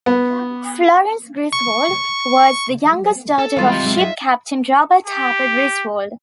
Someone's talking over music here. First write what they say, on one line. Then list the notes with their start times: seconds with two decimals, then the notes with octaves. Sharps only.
Florence Griswold was the youngest daughter of ship captain Robert Harper Griswold.
0.06 B3
1.53 C#6
3.39 A4
3.56 E3 G3 G#3 D#4 F4 F5
3.69 C4 G4
3.83 F#3 G#3 E5
3.98 F#3 G#4 D#5 E5
5.06 G4